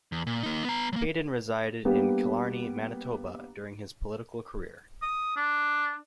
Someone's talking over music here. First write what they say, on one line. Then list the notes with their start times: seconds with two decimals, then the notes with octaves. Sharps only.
Hayden resided in Killarney, Manitoba during his political career.
0.12 E2
0.27 A#2
0.43 A#3 D#4
0.65 B3 A#5
0.93 F#3 A#3
1.85 G3 A#3 B3 D4 G4
5.02 D#6
5.36 D4